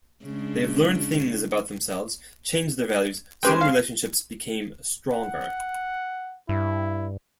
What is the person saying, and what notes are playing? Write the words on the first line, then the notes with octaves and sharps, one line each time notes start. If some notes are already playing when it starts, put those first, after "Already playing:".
They've learned things about themselves, changed their values, some relationships became stronger.
C#3 G#3 D4
G#3 C#4 G4 B4 C5 G5
F5
F#5
G2 E4